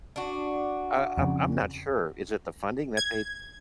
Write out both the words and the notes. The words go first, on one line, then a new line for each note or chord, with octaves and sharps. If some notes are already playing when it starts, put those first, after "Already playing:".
Uh, I'm I'm not sure. Is it the funding that they
D4 F#4
F2 C#3
G#6